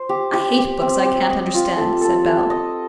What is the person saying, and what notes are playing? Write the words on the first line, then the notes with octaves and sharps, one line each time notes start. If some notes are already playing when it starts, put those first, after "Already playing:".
"I hate books I can't understand," said Bell.
Already playing: C5
G4
G4
G4
C4
G4
D#5
F4
A4
A4
A4
D#5